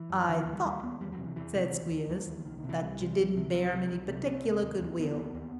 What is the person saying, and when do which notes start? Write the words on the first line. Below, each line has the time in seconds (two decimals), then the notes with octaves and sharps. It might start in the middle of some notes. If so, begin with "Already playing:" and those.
'I thought,' said Squeers, 'that you didn't bear him any particular good-will.
Already playing: E3
0.10 F#2
0.28 D#2 D#3
0.40 E3
0.46 D#2
0.53 G3
0.64 D#2 G3
0.83 D#2 B3
1.01 E2 G3
1.12 F#3
1.18 C3
1.24 E3
1.36 E2 E3
1.55 C3
1.73 D#2
1.90 D#2
2.09 D#2 F#3
2.27 D#2 E3
2.45 C2 D#3
2.58 D#3
2.64 C3 E3
2.82 C2 G3
3.00 C3
3.18 C2
3.36 C3
3.53 C2 F#3
3.72 C3
3.90 C2
4.08 C3
4.27 C2 C4
4.44 C3
4.62 D#2
4.81 D#2
4.99 D#2 B3
5.17 D#2
5.34 D#2